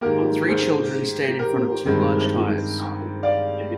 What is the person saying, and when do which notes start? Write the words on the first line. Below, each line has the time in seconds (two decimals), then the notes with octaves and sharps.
Three children stand in front of two large tires.
0.01 G#2 D#3 A#3 G4 A#4
0.48 G#4 C5
1.39 G4 A#4
1.86 G2 D#3 G#3 C4
3.23 D5 F5